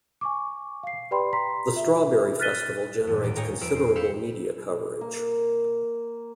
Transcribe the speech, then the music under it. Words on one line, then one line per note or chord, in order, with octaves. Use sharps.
The Strawberry Festival generates considerable media coverage.
G#5 C#6 D6
F5 C7
G4 B4 D5 G5 B5 C6
A#5 C6 B6
F4 E5
F6 F#6 A6 B6 D#7 G7
E2 G2 A#2
D#2 A2 D6
D#4 C#5 F5 G5 G#5 A#5
F2 B4 E6 F6 D7
C5
F5 B5 E6 G6 C7 C#7
A#3